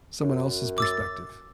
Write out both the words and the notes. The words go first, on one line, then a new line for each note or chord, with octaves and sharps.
someone else's perspective.
F#2
D6 E6 A6